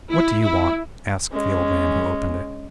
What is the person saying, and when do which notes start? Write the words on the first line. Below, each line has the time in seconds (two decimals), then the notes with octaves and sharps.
'What do you want?' asked the old man who opened it.
0.11 E4
0.42 E4
1.32 G#3 C#4